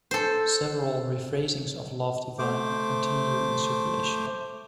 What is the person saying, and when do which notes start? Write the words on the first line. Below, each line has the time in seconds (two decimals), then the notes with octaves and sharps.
Several rephrasings of "Love Divine" continue in circulation.
0.11 A4 C5
2.39 A3 C5 D6